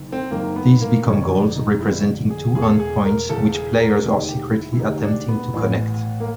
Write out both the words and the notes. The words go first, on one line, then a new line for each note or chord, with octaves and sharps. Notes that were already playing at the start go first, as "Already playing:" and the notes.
These become goals, representing two end-points which players are secretly attempting to connect.
Already playing: F#1 F#2 D#3
C4
F#1 F#2 D#3 A#3
B3
A#3
G1 F2 D3 C#4
D4
D#4
G1 F2 D3 E4
G#4
E1 E2 C#3 G#4
A4
G#4
G#4
A#4
E1 E2 C#3 A4
G#4
A#4
E1 D2 C3 D#3 G#4
G4
E4
E4
E1 D2 C3 D#3 D#4
D4
B3
A1 A2 E3
A#3